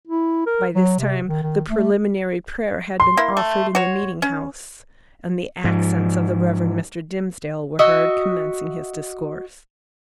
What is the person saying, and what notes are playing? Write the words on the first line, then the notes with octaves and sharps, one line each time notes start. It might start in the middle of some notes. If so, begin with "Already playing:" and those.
By this time the preliminary prayer had been offered in the meeting-house, and the accents of the Reverend Mr. Dimmesdale were heard commencing his discourse.
E4
A#4
F#3
C3
D#3
D#3
A3
C6
A#3 E4
A3
F#4 C#5
C#4
G#2 F3
F#4 D#5 E5